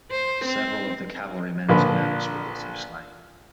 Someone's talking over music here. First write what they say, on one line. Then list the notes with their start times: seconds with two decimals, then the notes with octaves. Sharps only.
Several of the Cavalrymen's mounts were also slain.
0.11 C5
0.45 C4
1.69 A#1 A#2 D3 F3 A#4 B4